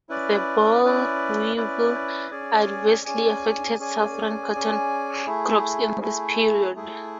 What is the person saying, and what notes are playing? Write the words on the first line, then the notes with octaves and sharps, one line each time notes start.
The boll weevil adversely affected southern cotton crops in this period.
C#4 E4 B4 D5
C#4 E4 B4 D5
C#4 E4 B4 D5
C#4 G#4 D5 G#5
C#4 G#4 D5 G#5
C#4 G#4 D5 G#5
C#4 G#4 D5 G#5
A3 E4 G#4
A3 E4 G#4
A3 E4 G#4